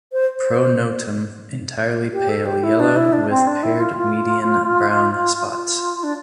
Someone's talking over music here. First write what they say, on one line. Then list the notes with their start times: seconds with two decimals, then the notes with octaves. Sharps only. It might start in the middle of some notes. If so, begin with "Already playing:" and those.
Pronotum entirely pale yellow with paired median brown spots.
0.13 C5
0.38 C5
2.13 G4
2.29 A4
2.46 G4
2.63 E4
2.80 D4
2.96 E4
3.13 D4
3.30 C4
3.47 D4
3.63 E4
3.80 F4
3.97 F4
5.47 F4
6.03 D4